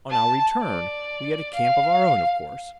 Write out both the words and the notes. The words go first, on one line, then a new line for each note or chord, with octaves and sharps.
On our return, we had a camp of our own, of course.
A5
D5
F5